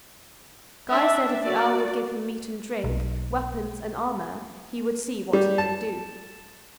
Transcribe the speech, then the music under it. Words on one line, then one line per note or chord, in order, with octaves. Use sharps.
Guy said if the earl would give him meat and drink, weapons and armor, he would see what he could do.
D4 E5
F#4 D5
B1
G3
A5